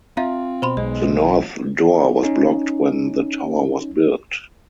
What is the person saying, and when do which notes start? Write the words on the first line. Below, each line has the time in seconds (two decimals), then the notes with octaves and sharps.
The north door was blocked when the tower was built.
0.17 C4 F4 E5 F5 A#5
0.62 B2 C5 B5 C6
0.77 B1 G#3 D#5
2.23 C#4 D#4